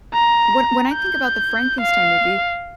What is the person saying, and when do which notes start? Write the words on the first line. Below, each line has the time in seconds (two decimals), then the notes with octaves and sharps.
When when I think about the Frankenstein movie,
0.13 A#5
0.94 G6
1.81 F5